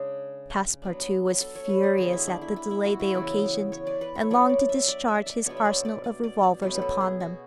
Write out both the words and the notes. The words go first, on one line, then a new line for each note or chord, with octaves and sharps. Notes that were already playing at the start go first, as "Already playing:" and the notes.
Passepartout was furious at the delay they occasioned, and longed to discharge his arsenal of revolvers upon them.
Already playing: C#3 G#3 D4 G#4
F#3 B3 D4
A4
C#5
B4
G#4
D3 G#3 B3 F#4
E4
D4
E4
E4
E4
F#4
E4
C#3 E3 B3
C#5
D5
B4
C#5
F#3 B3 D4 C#5
D5
E5
D5
E5
D5
B2 G#3 B3 D4 C#5
E5
D5
D5
D5
D5
D5
B2 F#3 A3 C#4 B4
B4
A4
G#4
F#4